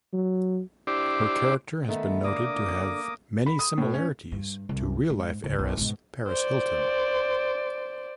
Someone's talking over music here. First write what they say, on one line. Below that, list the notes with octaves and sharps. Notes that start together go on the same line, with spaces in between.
Her character has been noted to have many similarities to real-life heiress Paris Hilton.
F#3
D4 E4 G4 C5 D5
D#3 A3 B3
D3 A#3 D6 D#6
B5
D#6
A2
C#4
G2
C2
G#2
C#2
B1
G#2 B2
C5 D5